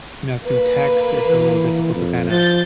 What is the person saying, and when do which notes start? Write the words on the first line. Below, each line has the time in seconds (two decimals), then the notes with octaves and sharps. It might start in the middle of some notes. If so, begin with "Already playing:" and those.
you know, through text, it's a little difficult to kinda,
0.46 A#3 B4
1.28 E3
1.94 F2
2.31 F3 G6 A6